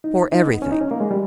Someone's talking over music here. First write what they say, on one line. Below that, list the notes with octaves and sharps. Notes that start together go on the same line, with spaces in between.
"For everything."
D#4
D#4
B3
C#4
D#4
C#4
A#3
G#3
G3